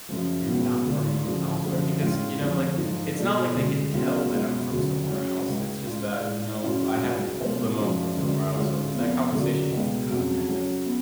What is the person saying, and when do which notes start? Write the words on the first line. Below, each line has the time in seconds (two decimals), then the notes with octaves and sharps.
you're not from elsewhere because, you know, like, it's not like they can tell that I'm from somewhere else, it's just that, no, I haven't told them I'm from somewhere else, so that conversation needs to happen, I guess.
0.09 F#2 C#3 F3
0.47 C#2 B2 F#3 B3
0.85 D2 D3 G#3 D4 F4
1.24 D2 C#3 F3
1.62 F#2 D3 F3
2.01 A2 G#3 C#4 F4
2.39 F2 D3 F3
2.78 G#2 F3 A3
3.17 B2 A3 D4
3.55 D2 C#3 G#3 D4
3.93 C#2 C#3 F#3 B3 F4
4.32 B2 G#3 B3 F4
4.71 D2 C#3 F#3
5.09 C#3 F#3 C#4
5.47 C#2 C#3 G#3
5.86 A2 G#3 D4 F4
6.24 A2 G#3 D4
6.62 F#2 C#3 F#3 C#4 F4
7.01 C#2 C#3 F#3
7.40 B2 G#3 C#4 F4
7.78 F#2 F3 G#3 D4
8.17 D2 C#3 G#3
8.55 D2 D3 G#3 C#4 F4
8.93 F2 F3 B3 F4
9.32 D2 C#3 F#3 A3 D4
9.71 C#2 B2 G#3
10.09 F2 C#3 F#3
10.48 C#3 F#3 A3 C#4
10.86 B3